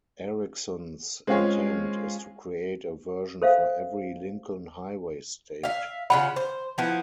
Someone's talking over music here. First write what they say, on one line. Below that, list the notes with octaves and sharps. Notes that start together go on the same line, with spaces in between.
Erickson's intent is to create a version for every Lincoln Highway state.
G#3 C4 C#4 F4 G#4 C#5
A4 C5 E5 F5
E5 F5
C#3 F4 F#5 B5
C5
F3 B3 E4